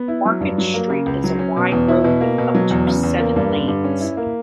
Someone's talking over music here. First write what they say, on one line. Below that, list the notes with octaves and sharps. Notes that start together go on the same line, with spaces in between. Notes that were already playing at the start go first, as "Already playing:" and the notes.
Market Street is a wide road with up to seven lanes.
Already playing: B3
E4
F#3
G2
F#3
A#3
C#3
C#2
F#3
C#4
B2
E2
E4
B2
A#3
B2
F#3
E2
C#3
E2
A#3
G2
D3
G2
C#4
E4
A#3